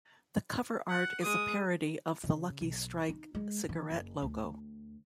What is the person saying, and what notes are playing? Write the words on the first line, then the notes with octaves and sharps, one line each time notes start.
The cover art is a parody of the Lucky Strike cigarette logo.
F#5
G#3 D#6
C#3
B1
D#4
G#3
E3
F#1
D2